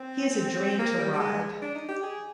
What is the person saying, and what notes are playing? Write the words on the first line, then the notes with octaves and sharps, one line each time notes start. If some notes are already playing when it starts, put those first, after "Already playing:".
He is a dream to ride.
Already playing: C4
A#3
G3
G3
G#3
D4
D#4
G4
G#4